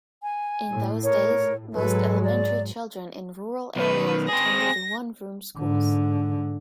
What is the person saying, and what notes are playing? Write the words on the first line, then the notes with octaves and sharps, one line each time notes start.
In those days, most elementary children in rural areas attended one-room schools.
G#5
A2
A#4 C#5
G#2 F#3 G#3 A4 B4
D5
B1 D#3 B4
C4 G#4 A#6
G#2 D3